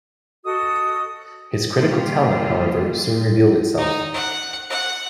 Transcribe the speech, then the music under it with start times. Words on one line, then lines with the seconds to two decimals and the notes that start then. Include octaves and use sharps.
His critical talent, however, soon revealed itself.
0.44 F#4 A4 D#5 D#6
1.76 G3 A#3 E4 F4 G4
3.78 D#4
4.14 F#5
4.70 F#5